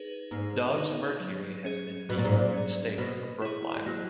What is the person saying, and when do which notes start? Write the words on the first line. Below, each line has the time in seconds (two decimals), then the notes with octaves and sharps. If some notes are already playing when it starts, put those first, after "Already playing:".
Dog's mercury has been eaten in mistake for brooklime.
Already playing: D#4 G#4 B4
0.31 G#2 A#3
0.76 D#4 G#4 B4
1.20 F#3
1.65 C#4 G#4
2.09 B2 F#3
2.18 A#2
2.25 G#2
2.32 A#2
2.54 C#4 G#4
2.98 B2 A#3
3.42 E4 G#4
3.76 G#3
3.86 F#3 A#3